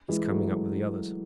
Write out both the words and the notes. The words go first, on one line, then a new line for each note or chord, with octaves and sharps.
He is coming up with the others.
E3 G#3
F#3 A3